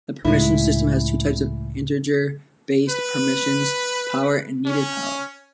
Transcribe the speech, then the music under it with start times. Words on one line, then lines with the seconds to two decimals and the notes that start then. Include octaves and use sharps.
The permissions system has two types of integer-based permissions: Power and Needed Power.
0.25 C#2 A2 G#3 E4
2.89 B4
4.66 C#4